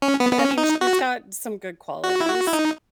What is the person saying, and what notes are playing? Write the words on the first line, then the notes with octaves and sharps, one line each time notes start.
I mean, she's got some good qualities.
C#4
B3
B3
C#4
D#4
F#4
F#4
E4
F#4
E4
D#4